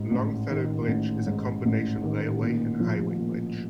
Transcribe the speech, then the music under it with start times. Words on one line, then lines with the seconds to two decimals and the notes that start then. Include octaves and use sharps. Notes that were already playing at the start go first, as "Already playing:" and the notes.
Longfellow Bridge is a combination railway and highway bridge.
Already playing: A1 G#2
0.11 A1
0.50 D#3
0.88 A1
1.26 G#2
1.65 A1
2.03 D#3
2.42 A#2
2.80 F3
3.19 A#2